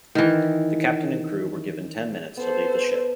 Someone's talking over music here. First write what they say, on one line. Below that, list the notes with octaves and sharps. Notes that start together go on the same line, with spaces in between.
The captain and crew were given ten minutes to leave the ship.
D#3 E3
B3 A4 C5